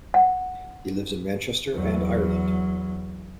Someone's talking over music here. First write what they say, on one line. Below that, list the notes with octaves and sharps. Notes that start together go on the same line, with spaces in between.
He lives in Manchester and Ireland.
F#5
E2 F#3